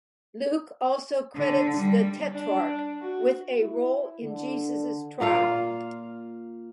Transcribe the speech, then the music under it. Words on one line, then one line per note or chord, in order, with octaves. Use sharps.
Luke also credits the tetrarch with a role in Jesus' trial.
D3
G3
D4
F#4
E4
D3
A#2 A#3 F4 F5